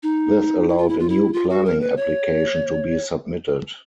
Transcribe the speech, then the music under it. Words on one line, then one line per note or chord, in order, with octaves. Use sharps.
This allowed a new planning application to be submitted.
D#4
E4
F4
E4
F4
E4
F4
F#4
A#4
B4
C#5